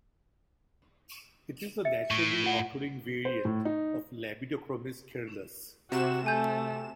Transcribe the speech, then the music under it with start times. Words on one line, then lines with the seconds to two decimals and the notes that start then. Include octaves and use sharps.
It is a naturally occurring variant of "Labidochromis caeruleus".
1.85 E5 C#7
2.11 A2 C#6
2.44 F4 F#5
3.25 C5
3.45 A2
3.65 D#4
5.92 C3 F#4 E7
6.26 A3 G#5 G6